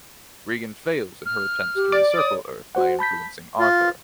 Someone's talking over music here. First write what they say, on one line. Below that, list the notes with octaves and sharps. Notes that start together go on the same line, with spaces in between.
Rigan fails in her attempts to encircle Earth by influencing Arthur.
F6
G4
D5
C#5 D#6
F#4 C5 F#5
A5 B5 G6 B6
F4